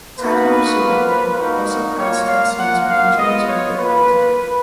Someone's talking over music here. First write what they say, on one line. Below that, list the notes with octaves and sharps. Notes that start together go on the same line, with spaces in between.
"Tecmo Super Bowl" also adds cut scenes when injuries or big plays occurred.
A#3 D#4 F#4 B4
A#3 F4
A#3 D#4 F#4
A#3 F4 C#5
F5
A#3 F4 F#5
F5
B3 F4 D#5
C#5
A#3 F4 B4